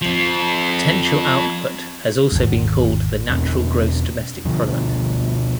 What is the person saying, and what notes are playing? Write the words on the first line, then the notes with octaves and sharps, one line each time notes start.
Potential output has also been called the natural gross domestic product.
F3 C4
G#1 E2
E2 B2 C4
B2 D3 F3